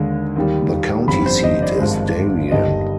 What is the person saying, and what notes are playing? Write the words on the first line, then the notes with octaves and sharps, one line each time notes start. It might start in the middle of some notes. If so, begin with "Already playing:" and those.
The county seat is Darien.
Already playing: D#2 D3 G#3
D#2 D#3 G3
G1 F2 D3 G3 B5
C5
D#5
D5
G#1 G2 F3 G#3
G1 G2 D#3 G3 D#5